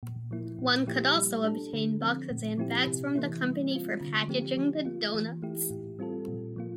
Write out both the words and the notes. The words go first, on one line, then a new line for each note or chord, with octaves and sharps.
One could also obtain boxes and bags from the company for packaging the doughnuts.
A#2
F3 A#3 E4
A#2
F3 A#3 E4 G4
G3
D4 A4
D3
F3 C4
A#2
F3 C4 E4 G4
C3
E3 A#3 E4
G3
C4 F4
D3
F3 A3 C4 G4
F3
A#3 F4
E3
A3 E4 G4
A2
G3 C4 F4 A4
A#2
F3 A#3 F4